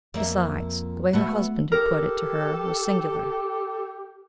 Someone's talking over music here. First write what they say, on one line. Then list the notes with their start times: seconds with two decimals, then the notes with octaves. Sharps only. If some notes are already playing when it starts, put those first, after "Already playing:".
Besides, the way her husband had put it to her was singular.
0.14 F2 A#3 E5
1.13 A3 B3 F#4
1.72 G4 A4 A#4